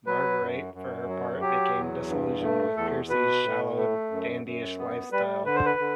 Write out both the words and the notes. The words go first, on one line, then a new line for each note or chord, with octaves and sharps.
Marguerite, for her part, became disillusioned with Percy's shallow, dandyish lifestyle.
F#3 B4
F#2
F#2
F#3
F#3 G4
E2
G2
A3
E2 A4
B2 B4
A2
A3
F#2
F#2
B3
G3 B4
D3 B4
C5
B4
D3